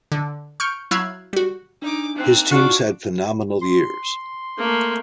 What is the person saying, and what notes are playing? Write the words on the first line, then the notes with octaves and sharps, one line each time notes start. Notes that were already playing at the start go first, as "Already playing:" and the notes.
His teams had phenomenal years.
D3
C#6 F6 G6 C#7 D7
F#3 E4 F5 E6 F#6 G#6
G3 F#4
D4 D#4 D6
A#3 C4 D#4 F#6 C7
D4 F4 F#4 D6
C6
A3 A#3